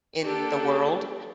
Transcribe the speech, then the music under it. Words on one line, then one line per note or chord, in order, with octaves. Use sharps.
in the world.
A#3 D4 G4 A4